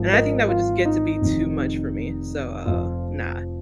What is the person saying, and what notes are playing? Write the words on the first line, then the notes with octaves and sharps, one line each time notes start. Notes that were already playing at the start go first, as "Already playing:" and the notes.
And I think that would just get to be too much for me. So, uh, no.
Already playing: G#1 G#2 F3
A#4 D#5
F4
D#4
F1 F2 D#3
F1 F2 F3 F4